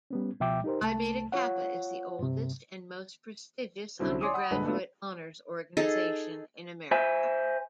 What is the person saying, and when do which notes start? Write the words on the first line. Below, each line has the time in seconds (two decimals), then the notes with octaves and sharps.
Phi Beta Kappa is the oldest and most prestigious undergraduate honors organization in America.
0.10 G3 B3 C#4
0.40 C#2 B2 F3 E5 G5 D6
0.64 D#4 G4 A#4 C5
0.81 C2 A3 A5
1.32 F4 C#5 F#5
2.19 G2 C3
3.99 C2 D3 F#3 C4 C#4 E4
4.21 C#5 D5 G#5 C6 D6 D#6
4.34 F#5 B5 D#6
4.51 A#1 G2 D3 G#3 D4 B4
4.64 A3 B3 D4 F4
5.77 D#4 G#4 A4
6.91 C5 E5 G#5